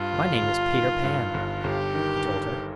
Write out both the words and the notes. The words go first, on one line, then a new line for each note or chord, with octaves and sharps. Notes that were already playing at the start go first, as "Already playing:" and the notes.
"My name is Peter Pan," he told her.
Already playing: G2 F4
G1
G1
D#3
G2
G1
G1 G4
D#3
G2